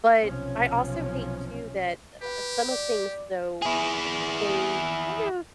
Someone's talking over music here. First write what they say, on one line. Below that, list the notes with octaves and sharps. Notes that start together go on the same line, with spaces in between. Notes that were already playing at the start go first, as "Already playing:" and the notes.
but I also hate too that, uh, some of things, though, y they kind of
B1 C3 F3 C#4
G4 B4
D5
E4 G#4